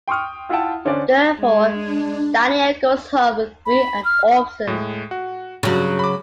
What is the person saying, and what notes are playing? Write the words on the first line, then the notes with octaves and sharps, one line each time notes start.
Therefore, Danielle goes home with Bree and Orson.
G5 C6 C#6 D#6 F6
E4 F4 E5 F#5 G5 A5
D3 C#4 D4 C5 D5
G#3
D4
B5
F6
A2 G#3
F#4
G2 C#3 F#3
B5 D6